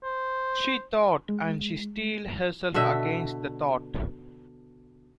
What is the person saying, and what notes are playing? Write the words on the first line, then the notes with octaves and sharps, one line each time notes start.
She thought; and she steeled herself against the thought.
C5
G#3
B2 D3 D#5 E5